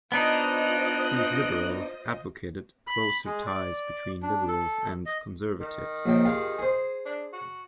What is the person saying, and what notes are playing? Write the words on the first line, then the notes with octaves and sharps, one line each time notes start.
These Liberals advocated closer ties between Liberals and Conservatives.
B3 D4 D#4 F4 C5 D#5 F#6
B5
G#3
D5
D4
A4
D#5
D#3
A#1 F#3 G5
F4 G4 G#4
G#4 C5
D4
F#4